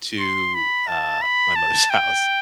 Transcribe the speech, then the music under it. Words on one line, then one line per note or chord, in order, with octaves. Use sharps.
to, uh, my mother's house?"
C6
B5
A5
B5
A5
G5